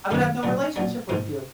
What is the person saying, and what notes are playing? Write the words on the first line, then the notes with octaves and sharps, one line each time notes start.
I would have no relationship with you,
F#2 D#3 A#3 D#4
A#2 F#3 D4
A#2 F#3 D4
G#2 F3 A#3